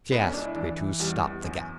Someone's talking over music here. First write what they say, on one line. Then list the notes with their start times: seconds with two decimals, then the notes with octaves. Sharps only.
She asked me to stop the gap.
0.12 C#2 B3
0.23 C#4
0.33 C#2 D4
0.45 E4
0.55 E3 D4
0.79 E3
1.00 E2 G3
1.23 E2
1.44 F#2